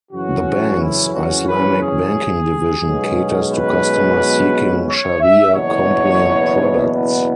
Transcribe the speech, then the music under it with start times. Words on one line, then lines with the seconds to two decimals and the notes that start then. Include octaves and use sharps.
The Bank's Islamic Banking Division caters to customers seeking Shariah compliant products.
0.12 F#2 C#3 E3 C#4 F#4
0.80 E4
1.13 F#4
1.48 B4
1.81 G#4
2.83 B1 B2 G#3 C#4
3.51 B4
4.88 C#5
5.21 E5
5.55 F#1 E2 B2 B3 C#5
6.91 B4